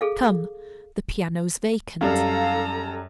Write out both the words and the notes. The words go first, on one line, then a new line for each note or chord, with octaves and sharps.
Come! the piano's vacant.'
G#4 A4 F5
F#2 G3 A4 F5 A#5